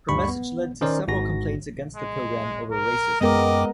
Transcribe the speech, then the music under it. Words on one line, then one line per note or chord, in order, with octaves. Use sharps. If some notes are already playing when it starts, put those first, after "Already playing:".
Her message led to several complaints against the programme over racism.
D2 G2 G3 B5 C#6
B3
D#3 C#4 D#4 A#4 C5 D5
G#1 G#2 F#4 A#6
G#3
A#4
F#2 G#3 B3 A#4 D#5 G5 D6